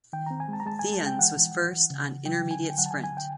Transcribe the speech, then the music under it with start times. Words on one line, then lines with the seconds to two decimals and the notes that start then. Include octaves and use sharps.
Theuns was first on intermediate sprint.
0.13 D#3 G5
0.26 C4 A#5
0.40 G#5
0.48 G#3 A5
0.60 A#5
0.66 G#3 A5
0.79 G#3 G#5
0.93 A5
1.02 G#3 G5
1.19 E3 F#5
1.37 E3
1.55 E3
1.72 E3
1.90 C#3
2.08 C#3
2.26 F#3 G5
2.42 D3
2.51 G#5
2.60 D3
2.70 G5
2.78 F#3 F#5
2.86 A5
2.91 G#5
2.95 D3
3.04 G#5
3.13 D3 G5